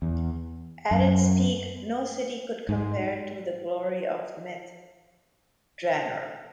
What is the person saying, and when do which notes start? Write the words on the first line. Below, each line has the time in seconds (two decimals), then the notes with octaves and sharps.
At its peak, no city could compare to the glory of Myth Drannor.
0.02 E2
0.91 F#2
2.69 G#2